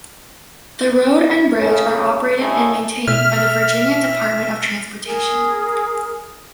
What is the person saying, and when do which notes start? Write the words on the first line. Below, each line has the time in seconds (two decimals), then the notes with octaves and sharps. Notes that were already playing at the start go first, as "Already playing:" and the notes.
The road and bridge are operated and maintained by the Virginia Department of Transportation.
1.59 C#3 A4 C#5
2.39 G2 A3 D#4 E4 G#5
3.08 B2 E5 F6
5.05 G#4 A#4